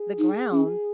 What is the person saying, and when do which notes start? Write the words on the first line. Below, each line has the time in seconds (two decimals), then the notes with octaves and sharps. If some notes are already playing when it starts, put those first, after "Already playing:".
the ground.
Already playing: G#4
0.19 D#4
0.52 C#4